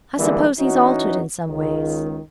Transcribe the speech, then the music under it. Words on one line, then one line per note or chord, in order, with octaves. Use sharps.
'I suppose he's altered in some ways?'
D3 E3 G3 G#3 A#3
E3 C#4 D#4 F#4
C#2 D#3